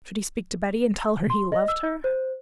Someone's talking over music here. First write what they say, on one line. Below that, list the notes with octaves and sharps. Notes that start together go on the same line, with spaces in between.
Should he speak to Betty and tell her he loved her?
C6
D#5
E6
C5